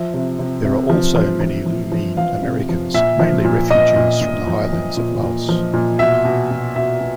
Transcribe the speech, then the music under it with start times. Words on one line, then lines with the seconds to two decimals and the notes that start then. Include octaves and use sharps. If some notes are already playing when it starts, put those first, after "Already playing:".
There are also many Iu Mien Americans, mainly refugees from the highlands of Laos.
Already playing: F3 E5
0.14 C3
0.39 C3
0.65 C3
0.90 F3
1.16 F3
1.41 F3
1.66 F3
1.92 F3
2.17 F3 F5
2.42 C3
2.69 F3
2.94 A#2 E5
3.19 F3
3.44 A#2
3.70 A#2 D#5
3.96 A#2
4.21 A#2
4.47 F3
4.73 F3
4.97 A#2
5.23 A#2
5.49 F3
5.74 A#2
5.99 B2 E5
6.25 B2
6.51 B2
6.76 B2 E5
7.01 B2